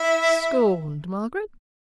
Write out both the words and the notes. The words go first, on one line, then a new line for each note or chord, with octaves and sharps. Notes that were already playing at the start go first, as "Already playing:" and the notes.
'Scorned, Margaret!
Already playing: E4